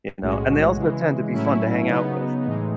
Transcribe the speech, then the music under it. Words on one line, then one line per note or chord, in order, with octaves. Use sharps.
You know? And they also tend to be fun to hang out with.
B1 A2 G#3 C#4 F#4
C#3 E3 G#3
A2 F#3 A3 C#4 E4
C#3 F#3 B3 D#4
A2 E3 G#3 D#4